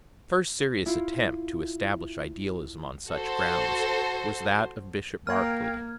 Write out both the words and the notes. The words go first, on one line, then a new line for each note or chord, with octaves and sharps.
The first serious attempt to establish idealism on such grounds was that of Bishop Berkeley.
E4 F4
F#4 A4 C5
A#3 A#4 F5 G5 F6 G#6